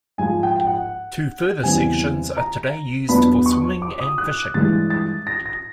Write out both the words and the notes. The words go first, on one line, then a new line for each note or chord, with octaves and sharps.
Two further sections are today used for swimming and fishing.
G#2 F3 G#3 G#5
G5
G5
F#5
E2 C#3 E3 G3 C4 G#5
A#5
E2 B2 F#3 B3 D4 B5
C#6
D6
D#6
F#6
G2 E3 G#3 A6
A6
A#6
A#6